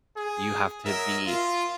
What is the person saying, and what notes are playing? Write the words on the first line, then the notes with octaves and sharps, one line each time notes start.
you have to be
G#4
F#3 A#4 D#5 E5
F4